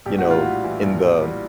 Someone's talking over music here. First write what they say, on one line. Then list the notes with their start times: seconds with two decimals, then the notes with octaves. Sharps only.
you know, in the
0.06 A#1 G4
0.18 F#4
0.25 A2
0.31 F4
0.43 G3 F#4
0.64 E3
0.83 A#1
1.02 A2
1.21 G3